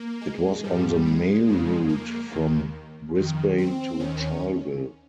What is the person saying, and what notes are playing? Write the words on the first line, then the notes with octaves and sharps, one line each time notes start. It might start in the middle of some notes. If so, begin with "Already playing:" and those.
It was on the mail route from Brisbane to Charleville.
Already playing: A#3
G#3
G#2 F3 G3
G#3
F2 C#3 F3
A#3
D#2 D#3
F2 D#3
C4
D#2 D#3 C#4